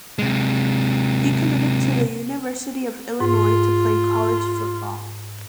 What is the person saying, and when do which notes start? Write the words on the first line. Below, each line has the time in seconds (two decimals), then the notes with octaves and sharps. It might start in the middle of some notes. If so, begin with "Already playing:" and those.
He committed to the University of Illinois to play college football.
0.19 C3 G#3
3.20 G#2 F4